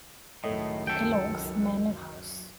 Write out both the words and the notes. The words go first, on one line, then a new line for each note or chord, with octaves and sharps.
Kellogg's Manor House.
C#2 F#2 A2 D#3 A3 D#5
F#3 A4 G5